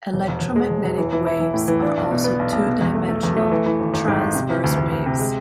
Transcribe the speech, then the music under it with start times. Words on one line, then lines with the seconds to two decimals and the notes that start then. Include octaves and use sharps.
Electromagnetic waves are also two-dimensional transverse waves.
0.14 E1
0.28 E1
0.41 E1
0.56 G#3
0.70 E1
0.84 E1
0.98 E3
1.12 E3
1.26 E4
1.40 E3
1.54 A2
1.68 E3
1.82 D4
1.97 B1
2.11 B2
2.24 B3
2.39 B1
2.52 B1
2.66 B2
2.81 E2
2.95 A3
3.09 A3
3.23 E2
3.37 A3
3.51 E3
3.66 E3
3.80 G#1
3.94 G#1
4.08 G#2
4.21 G#1
4.35 C3
4.50 E3
4.64 D2
4.77 D2
4.92 D2
5.06 C3
5.19 G#3